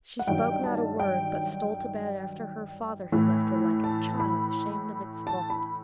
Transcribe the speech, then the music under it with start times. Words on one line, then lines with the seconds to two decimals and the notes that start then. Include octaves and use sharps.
She spoke not a word, but stole to bed after her father had left her, like a child ashamed of its fault.
0.19 F#5
0.27 G2 D#3 F#3 G5
0.64 A5
1.00 G5
3.12 A2 E3
3.84 A5
4.20 B5
5.27 A5
5.50 B5